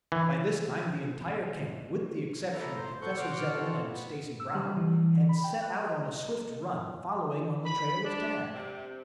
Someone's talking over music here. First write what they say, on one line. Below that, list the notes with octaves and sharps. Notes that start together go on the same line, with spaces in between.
By this time the entire camp, with the exception of Professor Zepplin and Stacy Brown, had set out on a swift run, following on the trail of Tad.
E3
A#2 E4 A4 A#5
C5
A2 C4 A4 F#5 C#6 G6
C3 F#4 C5 F#5 D6 F6
C4 F4 F#4 A4
B3
E6
G3
E3
B5
G5
F#6
D#5
B5
D4
C3